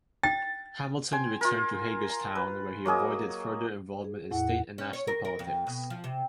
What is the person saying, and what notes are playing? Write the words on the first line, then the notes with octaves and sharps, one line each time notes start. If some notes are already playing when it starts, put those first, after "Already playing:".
Hamilton returned to Hagerstown where he avoided further involvement in state and national politics.
G5 A6
G5 G#5 C6
F4 A#4
A#5
B4
F#3 A#3 G#4 D#5
G#4
E2 A2 E4 F#5
C#4
C#5
A#4
A#4
F2
B2
F3
C3